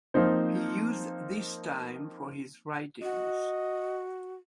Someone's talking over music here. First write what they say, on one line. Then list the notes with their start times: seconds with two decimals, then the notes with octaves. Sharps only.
He used this time for his writings.
0.14 F3 A#3 C4 D#4 C5
3.03 F#4 D#5